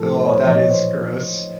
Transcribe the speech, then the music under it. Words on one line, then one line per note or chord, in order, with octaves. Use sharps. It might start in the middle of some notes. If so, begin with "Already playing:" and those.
Oh, that is gross.
Already playing: A2 F3 A4
C5
C#5
C5
A#2 F3 C#5
D#5
C#5
C5